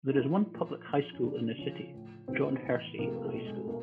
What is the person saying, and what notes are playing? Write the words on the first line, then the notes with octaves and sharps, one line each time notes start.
There is one public high school in the city, John Hersey High School.
D#4
A#2 F3 E4
A#2 F3
A#2 F3
C#4
C3 D#3 F#3 D4
C#3 F3 C#4
A2 F3
C3 D#3 F#3 C4
B3
A2 E3
C3 F3 A#3
A3
A#3
A3
B2 F#3
G#3
A3
B2 A#3